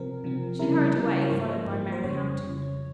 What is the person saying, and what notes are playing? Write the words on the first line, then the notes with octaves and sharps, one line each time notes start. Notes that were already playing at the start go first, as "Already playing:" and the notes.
She hurried away, followed by Mary Hampton.
Already playing: C3 F3 C4 A#4
C3 F3 C4
C#3 G3 C#4 E4 A#4
C#3 G3 C#4 E4
C#5
G#2 F3 A#3 C5
G#2 F3 A#3
C5
F2 C#3 G3 C#5
C#3